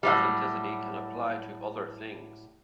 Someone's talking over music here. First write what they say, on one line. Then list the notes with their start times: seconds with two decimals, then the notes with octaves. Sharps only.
Authenticity can apply to other things.
0.03 A2 F#3 G3